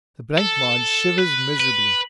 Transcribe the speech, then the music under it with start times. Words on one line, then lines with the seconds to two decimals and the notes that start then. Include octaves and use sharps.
The blancmange shivers miserably.
0.38 A4
1.19 B4
1.60 B4